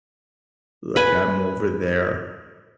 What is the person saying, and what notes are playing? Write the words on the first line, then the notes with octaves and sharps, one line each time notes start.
Like, I'm over there
B4 G#5